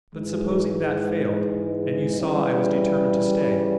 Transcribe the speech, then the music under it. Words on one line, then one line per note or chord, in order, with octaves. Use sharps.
But supposing that failed, and you saw I was determined to stay?
G#2 E3 G#3
C#3 E3 G3